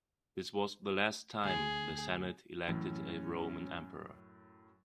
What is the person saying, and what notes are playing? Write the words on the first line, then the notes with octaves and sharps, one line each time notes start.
This was the last time the Senate elected a Roman Emperor.
D2 G#4
F#2 A2 E3 C#4 E4